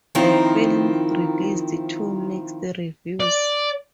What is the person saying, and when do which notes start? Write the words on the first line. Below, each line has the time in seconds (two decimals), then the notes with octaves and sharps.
The film released to mixed reviews.
0.15 D#3 F3 A#3 C4 D#4 E4
3.20 D5